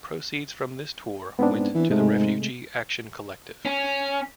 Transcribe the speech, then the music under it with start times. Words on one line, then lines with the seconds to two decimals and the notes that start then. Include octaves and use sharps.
Proceeds from this tour went to the Refugee Action Collective.
1.39 G#2 B3 C4 D4
1.75 E3
1.90 G#2 C3 G#3 A3
3.65 C#4